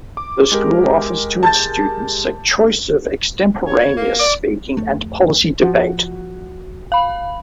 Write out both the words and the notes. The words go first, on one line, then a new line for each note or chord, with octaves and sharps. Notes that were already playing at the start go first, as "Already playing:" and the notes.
The school offers to its students a choice of Extemporaneous Speaking and Policy Debate.
D6
G#3 G4 A#4
A5 G6 A6
C#5
A#3
D5 D6
F1 A3
F3 F#4
F5 B5